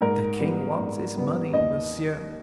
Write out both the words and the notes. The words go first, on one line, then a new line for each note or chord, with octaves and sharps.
"The king wants his money, monsieur."
G#2 A#4
G3 B3
G#2
G3 B3
D#2 D#5